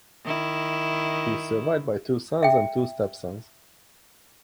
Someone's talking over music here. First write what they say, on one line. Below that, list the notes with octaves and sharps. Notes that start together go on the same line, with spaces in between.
He is survived by two sons and two stepsons.
D#3 E4
E5 G5